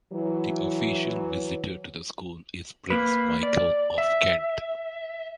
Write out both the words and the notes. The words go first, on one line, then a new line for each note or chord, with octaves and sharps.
The official Visitor to the school is Prince Michael of Kent.
E3 F#3
A#3 B4
D5
E5